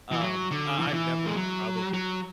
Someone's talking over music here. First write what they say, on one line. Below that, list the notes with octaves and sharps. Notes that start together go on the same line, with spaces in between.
Um, I I've never traveled
E3
F#3
D3
E3
D3
E3
G#3
F#3
F#3